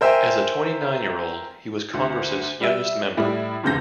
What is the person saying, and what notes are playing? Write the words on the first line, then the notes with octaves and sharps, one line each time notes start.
As a twenty-nine-year-old, he was Congress's youngest member.
A#4 C5 E5 G5 G#5
D2
G3 E5
A2 G3 E4
F1 D2 C#3 G6 A#6